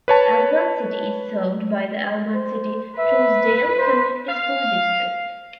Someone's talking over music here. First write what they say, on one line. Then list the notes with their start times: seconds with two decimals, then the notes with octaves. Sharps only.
Albert City is served by the Albert City-Truesdale Community School District.
0.08 B4 C#5 A5
2.34 C5
2.98 B4 E5
3.78 C5
4.29 F5